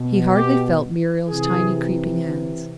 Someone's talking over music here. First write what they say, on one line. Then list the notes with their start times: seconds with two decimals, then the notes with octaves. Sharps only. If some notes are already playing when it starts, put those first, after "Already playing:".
He hardly felt Muriel's tiny creeping hands.
Already playing: B2
0.34 G4
1.29 C3 E3 G#4